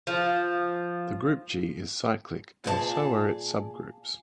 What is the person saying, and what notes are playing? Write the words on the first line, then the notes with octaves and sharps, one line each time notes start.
The group "G" is cyclic, and so are its subgroups.
F3
A#2 G#4 C5 A5